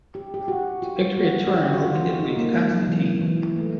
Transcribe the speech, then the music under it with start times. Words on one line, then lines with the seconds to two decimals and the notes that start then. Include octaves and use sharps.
The victory at Turin opened Italy to Constantine.
0.15 G4
0.34 G4
0.48 F#4
0.82 F4
1.17 F#4
1.47 F#4
1.51 G4
1.74 F#4
1.84 F4
2.19 D#4
2.36 A#3
2.53 G#3
2.71 F#3
2.87 E3
3.21 E3
3.56 A3